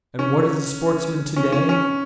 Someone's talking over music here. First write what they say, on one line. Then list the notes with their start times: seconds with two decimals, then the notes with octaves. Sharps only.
And what is a sportsman to-day?
0.19 C#4
1.36 C#4
1.52 C#4
1.69 C#4